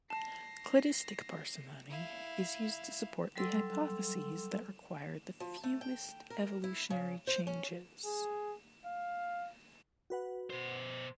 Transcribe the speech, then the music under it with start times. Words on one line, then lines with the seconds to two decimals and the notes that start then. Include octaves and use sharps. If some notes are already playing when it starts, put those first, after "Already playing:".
Cladistic parsimony is used to support the hypotheses that require the fewest evolutionary changes.
0.10 A5 A#6 C7
1.90 E4 F5
3.36 F#3 G3 A4 C6 E6
5.40 F3
5.64 A3
5.81 G5
6.30 A#4
6.64 E4
6.90 C#3
7.27 C5
7.47 C#4
8.05 G#4
8.85 F5
10.10 F#4 B4 F#5
10.50 B2 C5